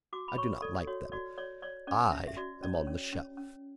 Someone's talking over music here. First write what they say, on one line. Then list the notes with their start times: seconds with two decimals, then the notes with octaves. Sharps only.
I do not like them. I am on the shelf.
0.13 F#4 D6
0.28 B5
0.37 C#5 C#6
0.62 A4 D5
0.87 F#4 C#5
1.12 F#4 D5
1.38 C#5 D5
1.62 C#5 D5
1.87 C#4 D5
2.12 C#4 E5
2.27 E5
2.37 F#4 D5
2.63 C#4 D5
2.74 C#5
2.87 C#4
3.13 C#4
3.37 C#4